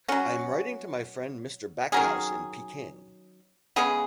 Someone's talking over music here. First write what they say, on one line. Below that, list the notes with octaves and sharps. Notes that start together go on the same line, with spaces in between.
I am writing to my friend Mr. Backhouse in Peking.
F#3 C#4 F#4
D#3 F#3 C#4 G#4
C#3 G#3 B3 G#4